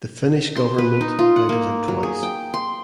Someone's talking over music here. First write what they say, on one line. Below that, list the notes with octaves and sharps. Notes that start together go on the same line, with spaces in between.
The Finnish government knighted him twice.
C6
B4
D#4
F4
F#5
A#3
F#3
G#4
G5
C6